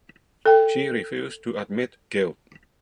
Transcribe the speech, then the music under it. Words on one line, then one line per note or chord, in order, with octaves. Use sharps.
She refused to admit guilt.
A4 G5